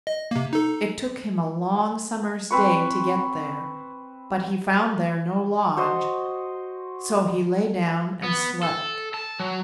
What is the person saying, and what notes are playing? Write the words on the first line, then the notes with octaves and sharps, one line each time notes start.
It took him a long summer's day to get there, but he found there no lodge, so he lay down and slept.
D#5
C3 A#3
D#4 A4
C4 B4 C#6
F#4 C5 D#5
B3
A4
A5
F#3